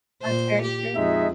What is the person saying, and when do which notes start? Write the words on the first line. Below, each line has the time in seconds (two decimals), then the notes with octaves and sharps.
That's very true.
0.22 A#2 C5
0.62 G4
0.95 F2 G#3 D#4 E5